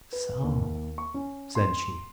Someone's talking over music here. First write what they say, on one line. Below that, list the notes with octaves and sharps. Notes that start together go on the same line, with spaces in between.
"So!" said she.
B4
D#2
C#6
C#4
C6